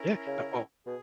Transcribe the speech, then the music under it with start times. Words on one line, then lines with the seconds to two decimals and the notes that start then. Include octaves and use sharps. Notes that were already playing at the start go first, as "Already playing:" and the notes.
Yeah, uh, well,
Already playing: C#4 E4 A#4
0.27 C#3
0.86 B2 G#4